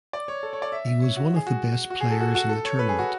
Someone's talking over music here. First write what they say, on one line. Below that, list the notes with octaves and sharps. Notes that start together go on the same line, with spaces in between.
He was one of the best players in the tournament.
D5
C#5
A4
C#5
D5
E5
E5
C#5
F#4
G#4
F#4
F#4
G#4
A4
F#4
F#4
A4
C#5
B4
G#4
F#4